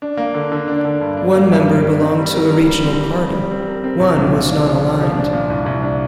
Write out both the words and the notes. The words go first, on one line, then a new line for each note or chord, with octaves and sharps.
One member belonged to a regional party; one was non-aligned.
D4
A#3
D3
D3
D4
D3
G2
D4
A#3
G2
A#3
D4
C4
G3
A#4
A#4
G3
C4
G3
G3
G3
C4
A#4
C4
C2
A#2
A#2
D4
F3
A#2
F3
D4
A#2
C2
C2
D4